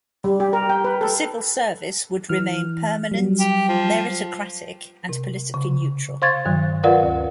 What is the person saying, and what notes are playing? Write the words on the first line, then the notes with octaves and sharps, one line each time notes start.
The civil service would remain permanent, meritocratic and politically neutral.
G3
G4
A#4
G5
B4
A4
E3 F6
F#3 G3
G4
F3
C3
C#3
C5 F5 C6 C#6 G#6 A6
G2 D#3 F#3
F4 A#4 B4 D5 F5 F#5
D2